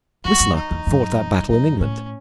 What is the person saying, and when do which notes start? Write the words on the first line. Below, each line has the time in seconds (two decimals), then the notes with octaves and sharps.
Whistler fought that battle in England.
0.24 F#2 F#4
0.40 F#2
0.55 D#4
0.71 E2
0.87 F#2
1.49 F#2 D#4
1.80 A2 C#4